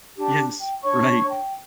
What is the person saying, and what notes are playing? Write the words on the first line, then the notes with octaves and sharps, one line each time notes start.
Yes, right.
D4 G4
G5
D4 C#5 C#6
G5